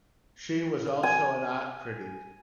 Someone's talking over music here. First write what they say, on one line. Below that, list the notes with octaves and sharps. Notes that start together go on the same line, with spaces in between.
She was also an art critic.
G#5